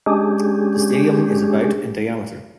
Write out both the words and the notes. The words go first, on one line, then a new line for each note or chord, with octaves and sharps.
The stadium is about in diameter.
G#3 C#4 D4 G4 G#4